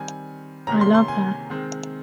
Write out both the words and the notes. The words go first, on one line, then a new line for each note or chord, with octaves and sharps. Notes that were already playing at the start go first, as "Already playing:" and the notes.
I love her.
Already playing: D#3 G3 C4 G#5
C3 D#3 A#3 C#4 A#5
C6
C6
G#5
D#3 G#3 C4